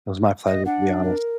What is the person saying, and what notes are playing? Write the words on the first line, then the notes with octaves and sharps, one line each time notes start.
it was my pleasure, to be honest.
D#5
D4 F#5
A#4